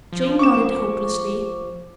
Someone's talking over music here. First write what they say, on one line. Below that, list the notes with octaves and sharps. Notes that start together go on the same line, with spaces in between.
Jane nodded hopelessly.
F3
C#6 D6 E7